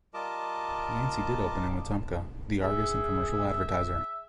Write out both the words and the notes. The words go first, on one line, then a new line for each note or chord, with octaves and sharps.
Yancey did open in Wetumpka the "Argus and Commercial Advertiser".
G3 F4 A#4 D#5 A5 D6
G#4 E5